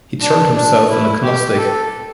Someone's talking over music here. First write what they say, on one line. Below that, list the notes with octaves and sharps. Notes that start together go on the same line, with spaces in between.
He termed himself an agnostic.
D4
D4
E4
G4
G4
A4